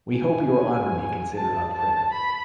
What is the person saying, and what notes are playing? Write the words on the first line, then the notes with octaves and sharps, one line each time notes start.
We hope your honour may consider our prayer.
G#5
A5
A5
B5